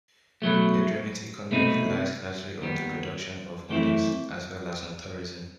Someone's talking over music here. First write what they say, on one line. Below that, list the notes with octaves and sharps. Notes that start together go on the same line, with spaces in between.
Edremit's economy relies largely on the production of olives, as well as on tourism.
B2 F#3 A3
C2 B2 A3 C4 D#4
D#2 D#3 G3 B3
F#2 E3 A3 C4 E4